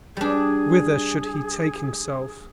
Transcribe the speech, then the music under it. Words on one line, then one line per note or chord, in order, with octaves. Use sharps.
Whither should he take himself?
G3 D4 G#4